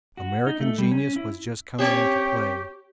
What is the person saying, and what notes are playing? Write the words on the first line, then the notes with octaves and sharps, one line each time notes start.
American genius was just coming into play.
F#4
D#4
A3
G3
C#4
E4
C4 G4 C#5